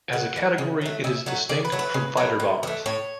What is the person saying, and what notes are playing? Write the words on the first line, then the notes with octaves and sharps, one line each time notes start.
As a category, it is distinct from fighter-bombers.
C#3 F#5
E3 G3
C#3
F#3 A3
C#3 E5
F#3 A3 F#5
C#3 D5
B4
F#3 A3
B4
C#3
F#3 A3
A2
E3 A3
A2 C#5